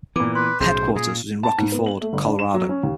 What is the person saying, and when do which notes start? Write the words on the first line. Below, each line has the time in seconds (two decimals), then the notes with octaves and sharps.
The headquarters was in Rocky Ford, Colorado.
0.16 A#2 E3 B3 D6
0.35 B4 C6
0.60 B1 A2 C#3 C5
0.96 A#2 G#4
1.43 A5
1.58 G#2
1.72 B3
1.86 F#7
2.01 A3
2.13 G1
2.26 D4
2.39 E7
2.54 F#3
2.69 C#4
2.83 D#2